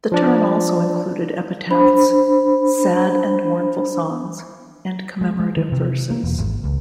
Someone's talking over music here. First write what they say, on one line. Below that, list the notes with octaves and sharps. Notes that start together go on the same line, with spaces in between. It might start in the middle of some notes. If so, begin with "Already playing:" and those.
The term also included epitaphs, sad and mournful songs, and commemorative verses.
F3 D4 D5
D4 C5 B5
G#3
G#3
D#3
C3
A#3
E1
G#1
C#2